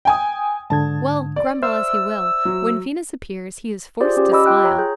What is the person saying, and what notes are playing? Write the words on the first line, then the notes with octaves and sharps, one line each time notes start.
Well, grumble as he will, when Venus appears he is forced to smile.
G5 G#5 D#6
G#2 D3 A5 G#6
D5
C5 E5 E6 F6
F#3
F4 G4 G#4 C5 D5
C#4 G4
G4 D#5 B5 D6 E6
F4 G5 F#6
C#5 A#5
G#4 G6